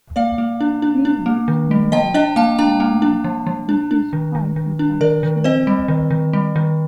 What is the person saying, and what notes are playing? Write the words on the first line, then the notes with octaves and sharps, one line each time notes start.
He lives in Moore, Oklahoma, with his wife and five children.
A#3 D5 F5
A#3
D4
D4
D4
A#3
D#3
G3
F3 D#5 G5
D4 D#5 G5
A#3 F5 A5
D4 G5 A#5
A#3
D4
F3
F3
D4
D4
D#3
D#3
D#3
D4
D#3 A#4 D5
D#3
C4 C5 D#5
G3
D#3
D#3
G3
D#3